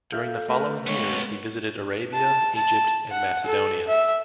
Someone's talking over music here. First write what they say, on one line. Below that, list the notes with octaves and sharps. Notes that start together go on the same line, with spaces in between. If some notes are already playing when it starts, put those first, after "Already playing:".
During the following years he visited Arabia, Egypt and Macedonia.
A4 E5 F5 F6 G6
A3 A#4 B4
G#3 B3 C#5
A5
A5
F#5
A4
E5